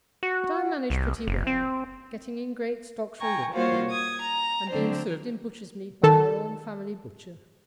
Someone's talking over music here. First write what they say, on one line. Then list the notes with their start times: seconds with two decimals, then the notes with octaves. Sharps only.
But I manage pretty well, getting in great stocks from Liverpool, and being served in butcher's meat by our own family butcher.
0.23 F#4
0.90 C2
1.27 F#1
1.47 C4
3.20 G5 G#5 A#5 C#6
3.54 G3 A#3 F4 F#4 C5 C#5
3.89 D#6 G#6
4.21 A#5
4.69 D3 F#3 A3 C4 D4 C5
6.03 D#3 A4 A5